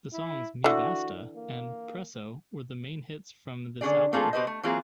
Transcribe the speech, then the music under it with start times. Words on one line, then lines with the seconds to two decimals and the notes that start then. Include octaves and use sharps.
The songs "Me basta" and "Preso" were the main hits from this album.
0.13 E4
0.64 D3 E3 F#4
1.36 A#3
3.81 D3 C#4 F#4 G#4 D5
4.13 A3 A#3 C4 F4 G#4 A4
4.33 B2 G4 B4 C5 D#5
4.47 A3
4.63 E3 F#3 A#3 C4 F4 G#4